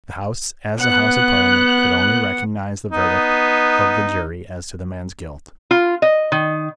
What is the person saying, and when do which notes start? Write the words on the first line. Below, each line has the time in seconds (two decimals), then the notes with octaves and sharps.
The House, as a House of Parliament, could only recognise the verdict of the jury as to the man's guilt.
0.81 B3 F#5 F#6
2.91 B3 D#4
5.71 F4
6.02 D#5
6.32 D#3